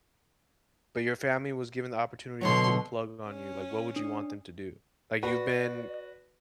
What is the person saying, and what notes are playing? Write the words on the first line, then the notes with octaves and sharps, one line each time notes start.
But, your family was given the opportunity to pull the plug on you, like, what would you want them to do? Like, you've been,
B2 D3 F#3 C#5 C6
C#4
D4
F#4 B4 D5